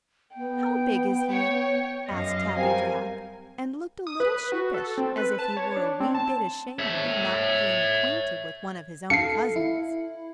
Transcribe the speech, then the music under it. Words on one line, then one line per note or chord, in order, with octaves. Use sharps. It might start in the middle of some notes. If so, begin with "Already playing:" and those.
"How big is he?" asked Happy Jack, and looked a little sheepish as if he were a wee bit ashamed of not being acquainted with one of his own cousins.
B3 G5
C#5
F#2 D#5 F5
C3 G3 A#4 F5 G#5
D#6
B4
F#4
A4
C4
B4
A5
C#5
D4
C4
A5
C#5 E5
A4 F5 C7 C#7
E4